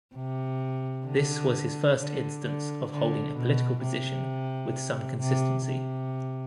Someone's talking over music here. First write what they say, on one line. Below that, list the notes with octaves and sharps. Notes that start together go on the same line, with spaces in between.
This was his first instance of holding a political position with some consistency.
C3
D3
D3
D3
D3
B2
C3
C3
C3